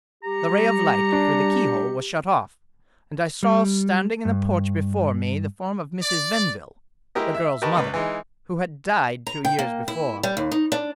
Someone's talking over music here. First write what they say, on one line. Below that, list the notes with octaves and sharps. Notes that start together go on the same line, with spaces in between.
The ray of light through the keyhole was shut off, and I saw standing in the porch before me the form of Mrs. Venville, the girl's mother, who had died two years before.
G3 G4 A#5 C#7
D4
G3
G2
D5
G#3 E4 G4 A#4 D#5
E5
G4 A#4 B4 D#5 A5 C#6
C#2 B4 B5
E3 G#3 D#4
A#5
G5
A#3
E4
G3
D#2
D#4
D4